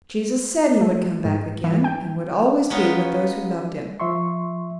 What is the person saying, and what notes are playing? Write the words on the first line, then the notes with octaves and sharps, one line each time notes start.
Jesus said He would come back again, and would always be with those who loved Him.
A3
G#2
E3
G5
G#3 B3 C#4 D#4 F4
F3 E5 C6 C#6